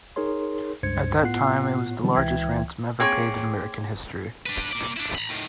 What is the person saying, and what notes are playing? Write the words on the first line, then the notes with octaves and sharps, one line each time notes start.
At that time it was the largest ransom ever paid in American history.
D#4 G#4 A#4 C#5 C6
C#2 G2 C5 G#6 C#7
A2 B3 F4 F#5 F#6 C7
D3 E3 F#3 G3 C4
C#2 E3 E5 G5 G#6
A#3 C4 G#4 C#5 G5
D4 B4
A#3 D5
D4 E4
A#5 B5
A2 D#3